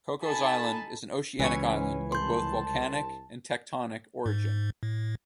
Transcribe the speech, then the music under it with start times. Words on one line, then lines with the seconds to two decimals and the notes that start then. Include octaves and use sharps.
Cocos Island is an oceanic island of both volcanic and tectonic origin.
0.22 D#4 A4 G#5 A5 B5
1.39 C#2 E3 C#4 C#5
2.12 C2 A5 C6 G6
4.26 G#2
4.83 A2